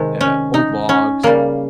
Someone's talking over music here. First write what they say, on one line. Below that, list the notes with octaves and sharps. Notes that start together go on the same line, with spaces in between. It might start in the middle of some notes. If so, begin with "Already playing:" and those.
uh, old logs,
Already playing: C3 D#3 G#3
C#4
D#4
C#4
C#3 G3 A#3